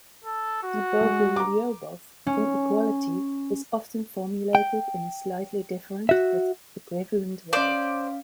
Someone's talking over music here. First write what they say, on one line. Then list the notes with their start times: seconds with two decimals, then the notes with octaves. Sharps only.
The Bogoliubov inequality is often formulated in a slightly different but equivalent way.
0.25 A4
0.64 F#4
1.01 G#3
1.36 A#5 D6
2.27 C#4
4.55 G5
6.09 F#4 E5
7.53 C#4 C5 D5 F5 D6